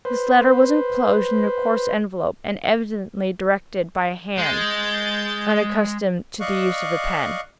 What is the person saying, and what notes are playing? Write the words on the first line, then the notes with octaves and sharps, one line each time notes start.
This letter was enclosed in a coarse envelope, and evidently directed by a hand unaccustomed to the use of a pen.
B4 C5
G#3 G6 A6
D5 D#5 F5 C#6 F#6